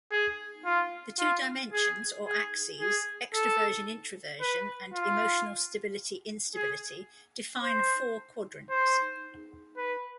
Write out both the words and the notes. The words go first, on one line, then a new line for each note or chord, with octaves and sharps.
The two dimensions or axes, extraversion-introversion and emotional stability-instability, define four quadrants.
G#4
F4
F4
G#4
G#4
G#4
A4
B4
F4
G#4
C5
C5
B4